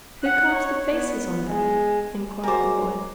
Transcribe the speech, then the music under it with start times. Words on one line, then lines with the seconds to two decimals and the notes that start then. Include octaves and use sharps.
"Who carves the faces on them?" inquired the boy.
0.23 F#5
0.54 C#5
0.94 B3
1.49 G#3
2.44 F#3 G#3 F#4 A#4 C5 G#5 D6